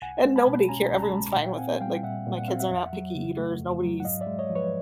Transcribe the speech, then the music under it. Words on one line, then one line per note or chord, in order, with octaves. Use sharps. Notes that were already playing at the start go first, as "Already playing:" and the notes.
and nobody care everyone's fine with it, like, my kids are not picky eaters, nobody's
C2 F#5 G#5
G#3
A5 B5
B2
C#4 G#5 A#5
C2
A#5
A5 B5
G#3
A#2 F5 G5
C4 F#5 G#5
G3 F5 G5
A#2 E5 F#5
A#2
F#5
C4 F5
E5 F#5
F2
F#3
C#3
A3
F2
F#3
F#5
G#2 D#5 F5
D5 E5
G#3
C#5 D#5
F3
B4 C#5